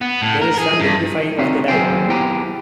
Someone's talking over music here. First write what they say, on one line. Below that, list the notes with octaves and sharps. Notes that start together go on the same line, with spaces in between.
There is some liquefying of the dye.
B3
A2
A#4
G#4
G2
C4 D#4 F#4 E5 F5
D#2 F#3 C4 G#4 C5 G5
B3 E4 G4 G5 A#5